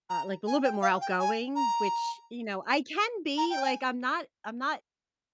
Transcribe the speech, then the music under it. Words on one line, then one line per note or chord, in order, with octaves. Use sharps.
uh, like, a little bit more outgoing, which, you know, I can be like, I'm not I'm not
A#5
G#5
G5
F5
G5
G#5
A#5
A#5
G5
G#5